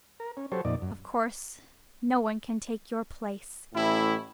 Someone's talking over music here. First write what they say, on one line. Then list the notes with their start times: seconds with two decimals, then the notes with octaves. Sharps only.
Of course, no one can take your place....
0.20 A#4
0.37 C#4
0.52 F#3 G4 A4 C5 C#5
0.65 F2 A#2 D#4 D5
0.82 F#2
3.75 A1 A2 E4